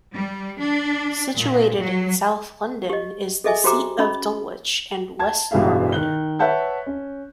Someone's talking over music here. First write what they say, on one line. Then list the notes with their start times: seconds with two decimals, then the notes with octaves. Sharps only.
Situated in south London is the seat of Dulwich and West Norwood.
0.13 G3
0.59 D4
1.36 A#2
1.78 F#3
2.90 G4 D#5
3.44 G#4 A4 D#5 E5 G#5
3.64 F#4 G4 C5 G5 A#5 D6
3.99 C#4 D#5 B5
5.19 A5 G#6
5.51 A1 G2 B2 G#4 E5 F5
5.92 D#3 F#6 G7
6.39 B4 C#5 E5 F#5 A5 G6
6.86 C#4